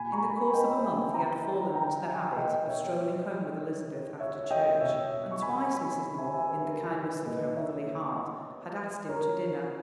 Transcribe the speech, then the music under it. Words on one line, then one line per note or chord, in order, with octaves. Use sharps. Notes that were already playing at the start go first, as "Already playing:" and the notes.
In the course of a month he had fallen into the habit of strolling home with Elizabeth after church, and twice Mrs. North, in the kindness of her motherly heart, had asked him to dinner.
Already playing: A#2 G#5 B5
A#5 C#6
G#5 B5
D#5 G5
E5 G#5
G5 A#5
G5 A#5
E5 G#5
B2 D#5 G5
C#5 E5
C#5 E5
D#5 G5
B2 C#5 E5
C#6
G#5 B5
G#5 B5
E5 G#5
E5 G#5
B4
A#4
B4
A#2 B4 D#5
C#5 E5
A#4 C#5